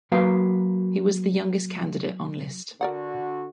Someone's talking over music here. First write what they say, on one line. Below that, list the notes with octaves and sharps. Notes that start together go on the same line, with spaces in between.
He was the youngest candidate on list.
F#3 A#3 F#4 B4 F5
D3 F#4 A#4 D5 F#5